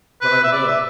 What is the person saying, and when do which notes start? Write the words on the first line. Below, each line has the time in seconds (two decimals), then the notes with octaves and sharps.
But I will.
0.21 B4
0.44 E5
0.52 D5
0.67 E5